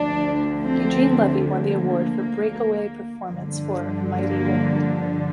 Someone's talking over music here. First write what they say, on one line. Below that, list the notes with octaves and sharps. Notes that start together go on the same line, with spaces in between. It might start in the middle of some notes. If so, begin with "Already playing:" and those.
Eugene Levy won the award for Breakaway Performance for "A Mighty Wind".
Already playing: D2 D3 F3 D4
C4
A#3
G2 D3 F3
A#3